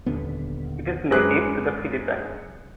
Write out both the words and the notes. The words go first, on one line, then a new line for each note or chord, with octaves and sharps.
It is native to The Philippines.
D#1 D#2 D3 B3
F#2 G#3 G#4 B4 D6 F#6